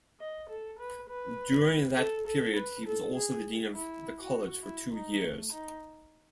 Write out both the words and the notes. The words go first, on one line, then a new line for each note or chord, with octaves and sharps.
During that period he was also the Dean of the College for two years.
D#5
A4
B4
B4
A4
A4
B4
A4
G#4
E4
F#4
E4
D#4
A3
D#4